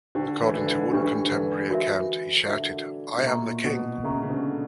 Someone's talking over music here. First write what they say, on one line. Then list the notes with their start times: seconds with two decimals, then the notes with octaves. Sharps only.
According to one contemporary account, he shouted I am the king!
0.15 D3 D4 G4 B4
0.41 E3
0.57 D3
0.67 E3
0.93 E3 D4 G4 B4
1.25 D3
1.32 E3
1.71 F#4 A#4 E5
2.48 D3 F#4 A#4 E5
3.18 B2
3.26 A#2 A#4 E5 A#5 C#6
3.65 B2
4.04 C#3 A#4 E5 A#5 C#6
4.23 C#3
4.30 D3